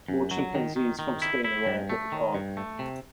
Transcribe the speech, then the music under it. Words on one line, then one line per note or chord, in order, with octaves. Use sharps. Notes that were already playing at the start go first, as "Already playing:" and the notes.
More chimpanzees from Spain arrived at the park.
F#2
F#3
D#3
D#3
D#3
E4
E4
G2
A3
D#3
G2
A3
C3